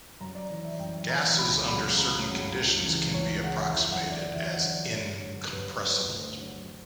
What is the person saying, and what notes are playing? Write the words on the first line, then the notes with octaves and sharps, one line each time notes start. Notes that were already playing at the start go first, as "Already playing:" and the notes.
Gases under certain conditions can be approximated as incompressible.
F#2 A#5
D5
E3 D5
E5
F#2 G5
E3 A#5
C#2 B5
C#3 F#3 B5
C#2 A#5
C#3 F#3
C#2
C#3 E3
C#2 C#5
C#3 E3 F#5
F#5
E2 E5
F#5
D3 F#3
D5
E2 E5
D3 F#3 D5
G2 C#5
D3 F#3 C#5
G2 B4
B4
D3 F#3
B4
D2
D3 F#3